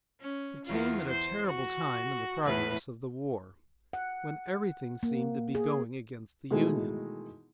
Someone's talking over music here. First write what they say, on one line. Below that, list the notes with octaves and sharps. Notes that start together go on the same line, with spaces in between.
It came at a terrible time in the progress of the war, when everything seemed to be going against the Union.
C#4
E2 F4
C5
F#4
E2 A2 B4
F#5
A#3
G#4
B2 D#3 E3 G#3 A3